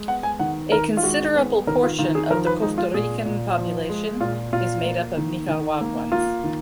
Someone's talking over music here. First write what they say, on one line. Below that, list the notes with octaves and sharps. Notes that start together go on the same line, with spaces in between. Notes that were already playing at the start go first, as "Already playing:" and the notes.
A considerable portion of the Costa Rican population is made up of Nicaraguans.
Already playing: G#3
B3 F#5
G#5
D#3 F#5
D#3 A#4
F4
G#3 F#4
B3
D#3 A#4
F4
D#3 F4
G#4
F3 A#4
B4
G#3 D#4
F4
A#2 G#4
A#2
F3
G#3
A#2 F4
A#2 F4
A#3
D#3
D#3
A#3
A#3 F4
D#3